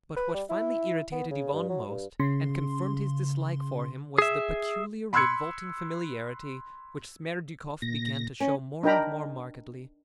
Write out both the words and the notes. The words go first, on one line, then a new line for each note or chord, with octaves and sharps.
But what finally irritated Ivan most and confirmed his dislike for him was the peculiar, revolting familiarity which Smerdyakov began to show more and more markedly.
B4
G3
E4
B3
C#3
G2
F#3
G2
C#3 C6
G#4 E5
B5 C6 E6 F#6 G#6 C#7
A#2 A#6
C#4
D4 D#4 A#4 G5 A#5 B5